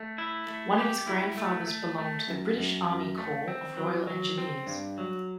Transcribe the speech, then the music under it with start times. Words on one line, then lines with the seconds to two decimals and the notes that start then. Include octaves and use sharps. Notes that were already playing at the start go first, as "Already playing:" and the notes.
One of his grandfathers belonged to the British Army Corps of Royal Engineers.
Already playing: A3
0.18 E4
0.48 A3
0.78 G4
1.07 E4
1.38 A3
1.67 A3
1.98 A3
2.28 F#2
2.57 F#2
2.87 F#2
3.18 A3
3.48 C4
3.77 F#3
4.07 F#3
4.38 C4
4.67 G2
4.98 F#3